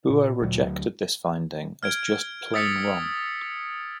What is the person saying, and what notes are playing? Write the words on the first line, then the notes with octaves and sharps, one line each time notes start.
Bua rejected this finding as just plain wrong.
A#2
D2 F#3
F6 G#6 D7
D#6 E6 A6 B6 C#7